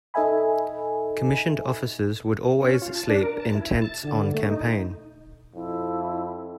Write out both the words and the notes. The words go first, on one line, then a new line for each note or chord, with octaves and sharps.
Commissioned officers would always sleep in tents on campaign.
D#4 A4 D#5 E5 G#5 B5
C#4
F4
A5
D4
A#4
A5
E4
A5
D3
A3
D#4
F2 E4